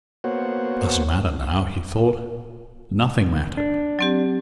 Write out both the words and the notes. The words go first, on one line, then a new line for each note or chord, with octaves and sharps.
"It doesn't matter now," he thought. Nothing mattered.
A#3 B3 F#4 C5 C#5 F#5
D4
F#3 C4 G4